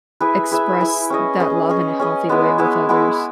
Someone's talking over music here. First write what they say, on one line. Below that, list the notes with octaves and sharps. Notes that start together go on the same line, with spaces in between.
express that love in a healthy way with others.
E4 G#4 B4 E5
E4 G#4 B4 E5
E4 G#4 B4 E5
C#4 G#4 D#5
C#4 G#4 D#5
C#4 G#4 D#5
C#4 G#4 D#5
G#3 B3 E4 G#4
G#3 B3 E4 G#4
G#3 B3 E4 G#4